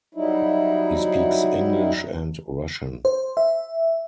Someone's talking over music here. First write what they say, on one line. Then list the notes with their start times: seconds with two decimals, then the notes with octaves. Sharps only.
He speaks English and Russian.
0.15 F#3 G3 D#4 E4
3.05 C5
3.37 E5